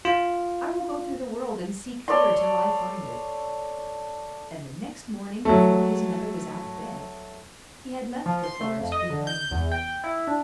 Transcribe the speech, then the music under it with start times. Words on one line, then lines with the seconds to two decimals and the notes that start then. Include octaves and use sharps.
'I will go through the world and seek fear till I find it.' And the next morning, before his mother was out of bed, he had left the forest behind him.
0.05 F4
2.08 A4 C#5 D5 C6
5.45 F#3 A3
8.26 F3
8.44 C6
8.61 A3
8.80 F2
8.92 D#5
9.10 D3
9.27 G6
9.51 E2
9.72 G5
10.04 E4
10.27 D4